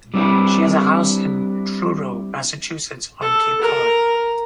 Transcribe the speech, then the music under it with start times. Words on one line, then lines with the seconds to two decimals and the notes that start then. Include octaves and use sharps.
She has a house in Truro, Massachusetts on Cape Cod.
0.14 G3 C4 D4 E4 B4
3.22 A4
3.62 A#4